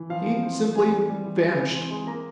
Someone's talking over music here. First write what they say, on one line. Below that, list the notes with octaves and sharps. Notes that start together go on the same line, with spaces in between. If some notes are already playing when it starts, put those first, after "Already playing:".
He simply--vanished.
Already playing: E3
F3 F5
C4
C4
C4
E3 G#5
G3
G3
E3
G#3
E3
C4
G#3
A#3 A#5